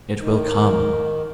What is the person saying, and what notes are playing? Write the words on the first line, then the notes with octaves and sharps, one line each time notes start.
It will come.
D#3